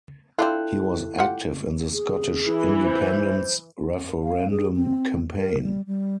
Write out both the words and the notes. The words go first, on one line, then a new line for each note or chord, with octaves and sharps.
He was active in the Scottish independence referendum campaign.
C4 D4 E4 F4 A4 F#6
F4 G4 F#5
G#4
E3 E4
C5
F5
G#4
C4
A#4
G3
G3